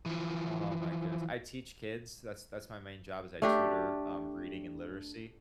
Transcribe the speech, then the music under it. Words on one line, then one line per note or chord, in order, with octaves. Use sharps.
Oh my goodness. I teach kids, that's that's my main job is I tutor, um, reading and literacy
E3 F3
A3 D4 G4